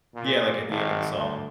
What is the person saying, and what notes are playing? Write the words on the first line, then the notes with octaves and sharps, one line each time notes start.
Yeah, like, at the end of the song?
A#2
G#1
D2